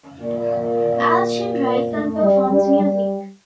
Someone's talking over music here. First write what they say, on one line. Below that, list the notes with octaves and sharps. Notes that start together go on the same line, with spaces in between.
Allchin writes and performs music.
A#2
A3
G3
G3
G3